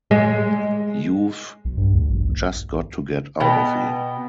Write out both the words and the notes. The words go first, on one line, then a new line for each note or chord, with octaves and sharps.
You've just got to get out of here!
G#3
B1
G2
D2
A#1
B2 G5